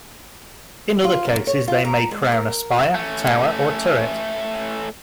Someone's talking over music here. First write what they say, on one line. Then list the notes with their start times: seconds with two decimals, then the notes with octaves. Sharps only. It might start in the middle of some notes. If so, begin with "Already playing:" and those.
In other cases they may crown a spire, tower, or turret.
1.04 F4
1.25 F#2
1.47 C#5
1.68 F4
1.85 A#5
2.11 G#3
2.32 A#4
2.95 A3 C#4